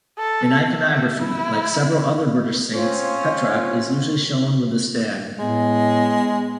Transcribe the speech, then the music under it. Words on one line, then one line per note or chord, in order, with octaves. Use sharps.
In iconography, like several other British saints, Petroc is usually shown with a stag.
A4
E5
E4
C4 C#4 F4 C5 C#5
A2 G#3 B3